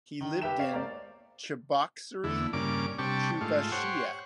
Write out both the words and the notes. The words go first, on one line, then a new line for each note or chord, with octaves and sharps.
He lived in Cheboksary, Chuvashia.
D#3
G4 B4 E5 G5 E7
C#5 D5 F5 C7
G#3 A#3 C5 D5
E2 D3 E4
G2 C#3 A#3 D5 D6
C3 G3 D4 G4 A5 C#6
G#2 A3 F4
G4 C5 C#5 F#5